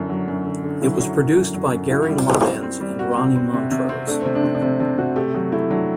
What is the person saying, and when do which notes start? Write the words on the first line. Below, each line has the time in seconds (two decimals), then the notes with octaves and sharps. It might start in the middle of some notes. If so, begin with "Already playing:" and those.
It was produced by Gary Lyons and Ronnie Montrose.
Already playing: F#2 D3 D4 E4
0.09 F#3
0.28 F#2
0.45 D3
0.64 D3
0.82 F#3 E4
1.00 F#3
1.18 F#2
1.36 F#2
1.54 F#3
1.72 F#2
1.91 E4 F#4
2.09 G3
2.27 F#4
2.44 C4
2.62 C4
2.80 G3
2.99 F#4
3.17 C4
3.36 C4
3.53 C3
3.71 C3
3.89 C4
4.07 A3 D4
4.22 C3 C4
4.35 D4
4.44 C3
4.55 D4
4.61 C3 C4
4.80 C3 D4
4.98 C3 F#4
5.16 A3 G4
5.34 F#3 G4
5.52 A3 E4
5.70 F#3 D4